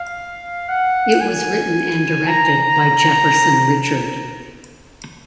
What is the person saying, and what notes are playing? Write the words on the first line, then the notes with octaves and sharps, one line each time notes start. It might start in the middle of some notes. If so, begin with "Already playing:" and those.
It was written and directed by Jefferson Richard.
Already playing: F5
F#5
G#5
A#5